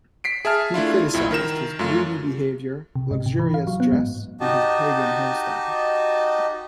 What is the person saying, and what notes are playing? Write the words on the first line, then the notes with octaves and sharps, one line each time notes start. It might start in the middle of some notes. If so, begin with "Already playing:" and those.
He criticised his greedy behaviour, luxurious dress and his pagan hair style.
B6 C7 D7
G#4 E5 A5 F6
A3 D4 E4 F4
C2 F2 E4
D#3 A#4 E7
F#2 A3 F4
C3
G#2
C3
E3
F5
F#3
B3
G#2
D#4 F#4 G4 D#5 A5